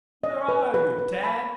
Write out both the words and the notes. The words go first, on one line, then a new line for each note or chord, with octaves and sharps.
"Where are you, Tad?"
D#5
B4
B4
B4
B5